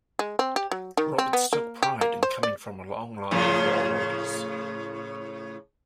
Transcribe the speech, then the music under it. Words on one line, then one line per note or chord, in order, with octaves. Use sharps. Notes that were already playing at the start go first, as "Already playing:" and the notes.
Roberts took pride in coming from a long line of railroaders.
G#3
C4
G4
F#3
D#3
C4
B3
A#3
G4
A#3
C5
D5
A2 C#3 F3